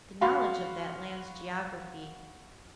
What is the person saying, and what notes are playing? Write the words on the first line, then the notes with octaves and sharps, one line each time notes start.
The knowledge of that land's geography . . .
F#4 F5 B5 C6